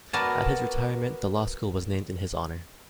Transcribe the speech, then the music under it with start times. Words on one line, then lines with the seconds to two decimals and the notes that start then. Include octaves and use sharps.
At his retirement, the Law School was named in his honor.
0.13 B3 F#4 A#4 D5 G#5 A5